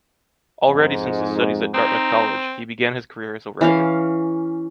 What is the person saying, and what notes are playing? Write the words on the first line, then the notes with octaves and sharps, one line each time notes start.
Already since his studies at Dartmouth College, he began his career as a writer.
F2 G#2
C4 D#4
E3 C#4 F5